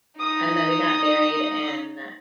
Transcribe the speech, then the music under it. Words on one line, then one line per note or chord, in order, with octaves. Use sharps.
and then we got married in
D#4 D#6